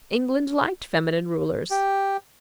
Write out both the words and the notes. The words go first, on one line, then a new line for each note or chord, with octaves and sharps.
England liked feminine rulers.
G4